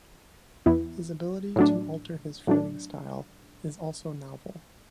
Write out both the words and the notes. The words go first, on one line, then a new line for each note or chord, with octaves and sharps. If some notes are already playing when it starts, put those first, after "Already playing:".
His ability to alter his fighting style is also novel.
E2 E3 B3 E4
A2 F#3 A3 D4
A2 F#3 A3 D4